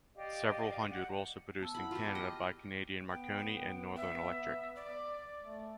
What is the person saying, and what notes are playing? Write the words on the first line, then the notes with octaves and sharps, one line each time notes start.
Several hundred were also produced in Canada by Canadian Marconi and Northern Electric.
G4 D5 D#5 F5
F#5 G6
B3 A5 E6
G2 E4 F#5 B5
F4 G4
D#5
B3 G5
E5
D5
A3